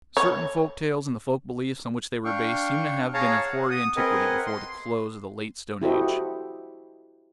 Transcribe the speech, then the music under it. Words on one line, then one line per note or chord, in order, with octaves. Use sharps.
Certain folk tales, and the folk beliefs on which they were based, seem to have been of hoary antiquity before the close of the Late Stone Age.
C#5
D4 F5 G5 C#6
G#4 C#5 F5 A5 A#5
F#5
D#6
C4 G#4 A#4 B4 D#5 F#5
C6
E4 F#4 G4 A4 C5 D#5